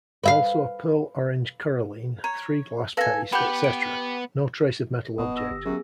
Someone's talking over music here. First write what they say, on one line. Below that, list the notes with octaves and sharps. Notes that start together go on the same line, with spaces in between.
Also a pearl orange coralline, three glass paste, etc.. No trace of metal object.
B4 E5 F5
C#5 A#5
A4 B4 F5 G#5 A#6
B3 G4 B4 F#5 B5 G6
D7
D#1 B2 D#6
E6 A#6
G1 G4
F#2 B3 G#4